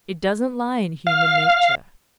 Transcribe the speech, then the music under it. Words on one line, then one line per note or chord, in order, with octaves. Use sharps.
It doesn't lie in human nature.
F5